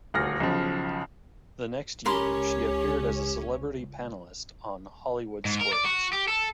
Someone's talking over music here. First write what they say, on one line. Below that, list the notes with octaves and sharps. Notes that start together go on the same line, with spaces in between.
The next year, she appeared as a celebrity panelist on "Hollywood Squares".
D#1 D2 F6 A#6
B1 C#3 F3
C#2 C#4 G4 A#4 C#5 B5 C6
G#2
A#4
D5
F#4
G4
A4